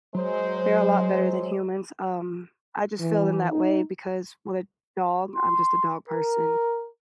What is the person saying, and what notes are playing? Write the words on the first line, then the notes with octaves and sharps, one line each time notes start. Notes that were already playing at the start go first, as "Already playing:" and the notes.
They're a lot better than humans, um, I just feel in that way because with a dog- I'm just a dog person-
F#3 G#3 C5
E3
D#4
C6
A#4